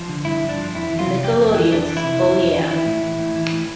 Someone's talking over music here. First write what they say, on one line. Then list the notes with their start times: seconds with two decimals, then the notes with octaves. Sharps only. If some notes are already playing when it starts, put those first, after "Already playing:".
Nickelodeon's Oh Yeah!
Already playing: F3
0.09 D3
0.25 G2 E4
0.42 G2
0.49 D4
0.57 F3
0.74 F2 E4
0.90 E3
0.99 F4
1.06 C3
1.23 F2 G4
1.39 F2
1.56 E3
1.72 F2 D4
1.88 E3
1.97 E4
2.04 C3
2.21 F2
2.37 F2
2.53 E3
2.70 E3 E4
2.86 A2
3.03 E3
3.20 A2
3.36 E3
3.52 A2